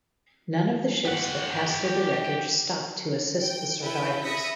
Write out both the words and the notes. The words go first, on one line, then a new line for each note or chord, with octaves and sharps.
None of the ships that passed through the wreckage stopped to assist the survivors.
G4 F#5
G5
E4 A4 B4 G6
E5 B5 D#6 A#6 B6 C#7